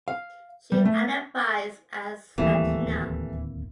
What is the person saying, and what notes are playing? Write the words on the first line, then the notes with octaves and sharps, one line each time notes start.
She identifies as Latina.
F5
G3
A3
D1 D#2 E3 G3 A3 A#3 E5